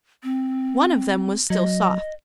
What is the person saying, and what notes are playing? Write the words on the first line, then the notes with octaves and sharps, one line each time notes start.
One of them was still soft.
C4
F#3 D#5